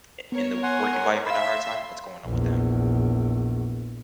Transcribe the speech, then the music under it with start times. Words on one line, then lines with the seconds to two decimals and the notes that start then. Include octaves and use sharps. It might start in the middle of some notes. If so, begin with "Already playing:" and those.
i in the work environment a hard time? What's going on with them?
0.32 B3 A#4 C#5
0.63 F#5 G#5 C6
1.26 E5 F5 B5 C6 E6
2.24 A#1 E2